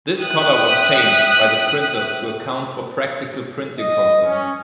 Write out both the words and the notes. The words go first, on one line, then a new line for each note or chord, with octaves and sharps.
This color was changed by the printers to account for practical printing concerns.
E5 G5 D#6 F#6 B6
D#5
C#4